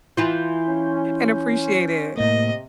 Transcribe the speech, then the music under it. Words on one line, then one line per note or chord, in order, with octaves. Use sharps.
and appreciate it.
E3 E4 F4 C6 G6
C#4
A2 C3 A#3 D#5